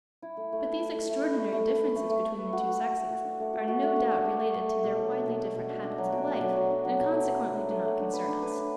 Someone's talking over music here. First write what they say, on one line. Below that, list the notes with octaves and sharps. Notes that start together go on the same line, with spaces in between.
But these extraordinary differences between the two sexes are no doubt related to their widely different habits of life, and consequently do not concern us.
E4
A3
A3
B4
E4
A3
A3
B4
A3
A3
B4
B4
A3
A3
A3
B4
F#4
A3
A3
A3
F#4
D4
A3
F#4
F#4
A3
A3
D4
A3
A3
A3
A3
B2
F#3
D4
B2
B2
B2
D4
D4
F#3
B2
D4
F#3
F#3
D4
F#3
B2
A3
B4
A3
D4
A3
A3
D4
B4
D4
B4
D4